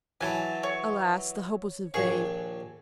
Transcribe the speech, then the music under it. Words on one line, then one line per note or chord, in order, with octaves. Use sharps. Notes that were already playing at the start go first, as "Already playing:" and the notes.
Alas! the hope was vain.
E3 F#3 E4 G#5 A5
C#5
A#1 D#2 G#4 C#6